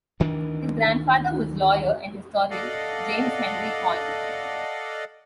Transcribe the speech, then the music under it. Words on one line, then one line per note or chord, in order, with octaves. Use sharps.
His grandfather was lawyer and historian James Henry Coyne.
D2 D#3 E3 D4
A4 D5 D#5 F5 F#5